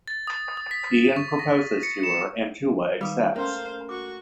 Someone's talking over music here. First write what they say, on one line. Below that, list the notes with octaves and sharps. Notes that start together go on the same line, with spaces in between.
Ian proposes to her, and Toula accepts.
A6
D#6
D#6
B6
C#6
A#6
C#7
E7
D#3 G3 B4 F5 D6 D#6
A3 A#3 C#4 A#4 C5 F5 C6
F#4 C#6 D6